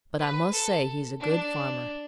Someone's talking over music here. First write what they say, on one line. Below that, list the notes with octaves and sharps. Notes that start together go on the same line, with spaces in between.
But I must say he's a good farmer.
B4
A4
D4